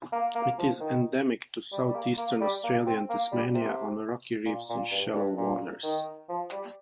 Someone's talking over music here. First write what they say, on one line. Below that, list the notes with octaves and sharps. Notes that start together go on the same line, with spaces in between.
It is endemic to southeastern Australia and Tasmania on rocky reefs in shallow waters.
A#3
A#3
F3
D#3
G3
G3
A#3
A#3
G3
A#3
C4
A#3
G3
C3
A#2
A#2
G2
G2
A#2
D#3
F3
G3